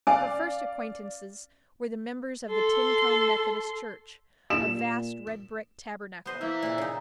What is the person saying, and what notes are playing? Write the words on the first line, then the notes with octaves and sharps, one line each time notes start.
Her first acquaintances were the members of the Tincomb Methodist Church, a vast red-brick tabernacle.
C#4 D5 F5 G#5 D6
A4 C6
A#2 E7
B3 C5 D#5
E3 A#3 E5 E6
A#2 C#3
C#3 D#4